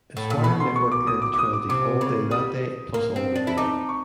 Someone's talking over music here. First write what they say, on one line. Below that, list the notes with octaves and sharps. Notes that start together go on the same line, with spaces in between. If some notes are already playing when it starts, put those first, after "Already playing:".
Esquire Network aired the trilogy all day that day, plus all weekend.
A2
A#2
B2 B5
C6
C#6
D6
D#6
D6
D6
D#6
D6
C3 D6
C#3
G3 D#6
A#3
C4
D4
E4
D#4 D6
C#6